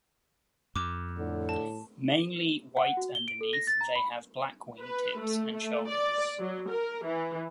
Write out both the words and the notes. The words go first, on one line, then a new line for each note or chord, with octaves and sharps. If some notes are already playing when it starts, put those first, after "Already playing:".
Mainly white underneath, they have black wingtips and shoulders.
F2 D6
A2 D3
A5
F#5
F#4
G7
D7
A4
A#6
A6
A#5
B5
B4
A3
A3
D5
F#3
A#4
E3